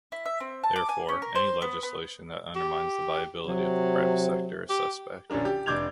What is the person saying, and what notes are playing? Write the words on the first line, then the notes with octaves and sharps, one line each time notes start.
Therefore any legislation that undermines the viability of the private sector is suspect.
E4
E5
C4
A5
D6
G#5
C#4
A#4
C5
B3
B3
G4
C3 F#3
G4
A#1 D3 C#4 D4 A#4
G4
F1 D4 D6 G6 G#6 F7